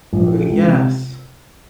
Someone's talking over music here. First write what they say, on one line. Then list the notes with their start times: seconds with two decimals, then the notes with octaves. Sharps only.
Oh, yes,
0.13 A#1
0.30 A2
0.50 C#2
0.67 C3